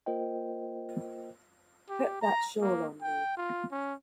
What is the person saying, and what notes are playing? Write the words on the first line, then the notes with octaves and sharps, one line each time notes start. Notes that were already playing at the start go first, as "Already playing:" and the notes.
Put that shawl on me.
A#3 F4 A#4 C5 D#5 G5
G4
A#5
A#3
G5
F4
C#4